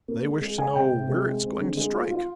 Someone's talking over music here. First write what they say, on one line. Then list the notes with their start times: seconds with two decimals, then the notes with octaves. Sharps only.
They wish to know where it is going to strike.
0.08 A#3
0.24 G#3
0.41 G#3
0.58 G#3 G#5
0.75 C3 G5
0.92 C3
1.09 G#3
1.26 G#3
1.43 C4
1.60 D3
1.77 G#3
1.93 F4
2.11 F4